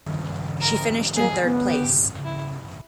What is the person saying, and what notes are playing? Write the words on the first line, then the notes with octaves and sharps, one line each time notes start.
She finished in third place.
A#4
A#3 G#4
B3
G4
E4